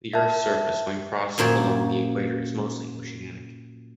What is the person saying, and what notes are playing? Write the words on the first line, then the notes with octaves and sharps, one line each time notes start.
The earth’s surface, when crossed along the Equator, is mostly oceanic.
E5 A5
F#2 A#2 F3 C#5